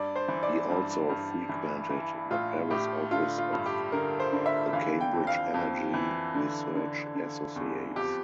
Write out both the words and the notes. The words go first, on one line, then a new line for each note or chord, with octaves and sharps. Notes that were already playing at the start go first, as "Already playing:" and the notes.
He also frequented the Paris office of the Cambridge Energy Research Associates.
Already playing: G2 D5
C5
E3
D5
G2
G2
E3
E3
A2 F4
A2 G4
D3 F4
F4
G2
G4
D3 A#4
C5
D3
E5
E3 F5
G5
F2
F5
F2
E3
D3
D3
D3
E2
F2 G4